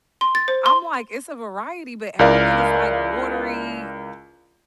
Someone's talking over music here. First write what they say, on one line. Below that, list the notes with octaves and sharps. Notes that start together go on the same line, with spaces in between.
I'm like, "It's a variety, but everything is, like, watery,
C6
A6
C5
C6
C#2 E4 A#4 D5 F5